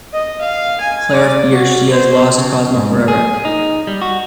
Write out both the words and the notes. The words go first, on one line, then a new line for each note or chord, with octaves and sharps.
Clara fears she has lost Cosmo forever.
D#5
F5
G#5
D5
F#4
C5
C#3
G#2
G#4
D#4
G3
F#4